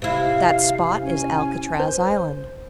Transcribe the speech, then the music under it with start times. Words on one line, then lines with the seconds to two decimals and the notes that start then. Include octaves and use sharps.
That spot is Alcatraz Island.
0.02 C3 E4 F5
1.02 C#4 G#5
1.79 C5